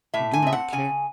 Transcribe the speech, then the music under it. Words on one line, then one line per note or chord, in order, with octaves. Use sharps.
We do not care.
A2 E5
G#5
C4 E5
F#5
C#3 G#5